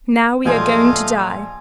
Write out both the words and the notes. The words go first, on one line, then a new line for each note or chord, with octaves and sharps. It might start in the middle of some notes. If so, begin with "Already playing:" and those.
"Now we are going to die."
A#1 A3 D#5 F5 G5 G#5 C6